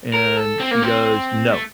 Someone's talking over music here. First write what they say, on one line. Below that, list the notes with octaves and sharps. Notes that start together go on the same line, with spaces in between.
And she goes, "No,"
A#4
A4
C4
A#3
C4
A3